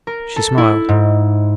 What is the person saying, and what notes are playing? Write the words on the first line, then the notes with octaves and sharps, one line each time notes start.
She smiled.
A#4
A4
E4
G#2